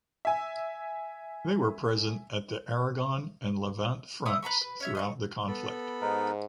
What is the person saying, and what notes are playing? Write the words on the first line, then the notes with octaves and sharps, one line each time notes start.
They were present at the Aragon and Levant fronts throughout the conflict.
E5 G#5
A3 E4 G5 D#6
B4 A#5 B5 C#6
B4
C#4 C#5 E5
D#5 C6 C#6
B3 A4 B5
G#2 D#4 A#4 B4